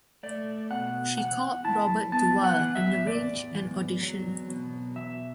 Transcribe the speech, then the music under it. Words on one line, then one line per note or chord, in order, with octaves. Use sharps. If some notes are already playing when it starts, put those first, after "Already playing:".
She called Robert Duvall and arranged an audition.
A3 D5
B2 F#5
E2 F#5
E4 A5
B3 A5
F#5
E3
E5
E2 D5
E2
F#3
B2
E2 E5